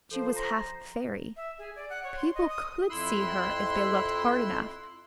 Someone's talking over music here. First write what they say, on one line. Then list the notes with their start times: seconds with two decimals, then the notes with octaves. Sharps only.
She was half fairy. People could see her if they looked hard enough.
0.11 F3 A4 C5
0.35 A#5 A#6
1.36 E5
1.59 G#4
1.76 D5
1.90 F#5
2.04 C#5
2.17 C6
2.35 D#5
2.49 D#6
2.90 F2 E4 C6 E6 F#6